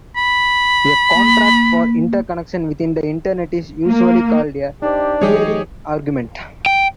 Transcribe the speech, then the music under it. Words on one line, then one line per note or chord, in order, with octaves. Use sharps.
A contract for interconnection within the Internet is usually called a peering agreement.
B5
A#3
A#3
D4 D#4 G4 C5
E3 F#3 D#4 G4 G#4 C#5 D#5
G5